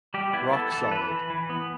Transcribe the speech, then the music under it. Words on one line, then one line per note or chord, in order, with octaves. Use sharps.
Rock solid.
G3 G4
B3 E4
B3 A4
E3 A4
E3 B4
E3
E3
B3